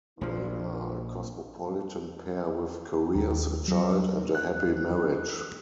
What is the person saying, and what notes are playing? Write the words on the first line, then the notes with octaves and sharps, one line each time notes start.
They are a cosmopolitan pair with careers, a child, and a happy marriage.
A#1 F3
D#2
F#3
F#6